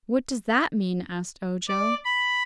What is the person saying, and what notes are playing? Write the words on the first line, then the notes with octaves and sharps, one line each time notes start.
"What does that mean?" asked Ojo.
D5
B5